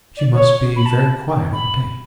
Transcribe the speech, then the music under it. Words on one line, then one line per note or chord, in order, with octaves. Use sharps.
"She must be very quiet all day."
D5
C#5
B5
A5
B5